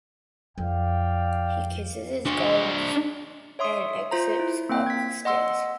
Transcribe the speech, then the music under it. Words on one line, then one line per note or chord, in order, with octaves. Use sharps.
He kisses his gold and exits up the stairs.
F2 D5 F5 G5
D4 C5
C#5 E5 C6 D#6
F4 C5 A#5
E4
A#3 C4 F5 G5
G#6 B6
D#5 F#5 C6 E6